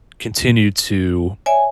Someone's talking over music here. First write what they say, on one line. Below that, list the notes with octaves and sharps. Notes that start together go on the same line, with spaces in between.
continue to
C#5 D5 E5 G#5